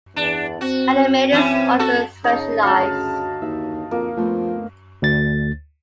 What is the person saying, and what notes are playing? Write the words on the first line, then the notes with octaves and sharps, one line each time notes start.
Animators often specialize.
E2 D4
C4 F#4
E3 C#4
F#4 A4
C#3 D#4 C#5 A5
D2 F#4 F5 A5 C#6
D#2 E5
F2 A#3
F3 A3 B3 C4
D2 A6